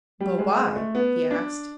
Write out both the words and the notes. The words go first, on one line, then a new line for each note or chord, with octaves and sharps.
"But why?" he asked.
G3
G#3
G#3
A3
B3
D4